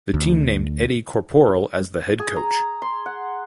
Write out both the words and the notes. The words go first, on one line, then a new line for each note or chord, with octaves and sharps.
The team named Eddie Corporal as the head coach.
D2
G#4
A#5
C6
F#5